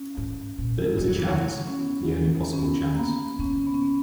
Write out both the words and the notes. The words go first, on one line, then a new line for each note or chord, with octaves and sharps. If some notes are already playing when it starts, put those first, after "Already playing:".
But it was a chance, the only possible chance.
Already playing: C#4
G#2
A#2
G#3 E4
F#3
E3
F#3
C#4
B3
C#4
B3
A#3
B3
C#3 C#4
B3
C#4
B3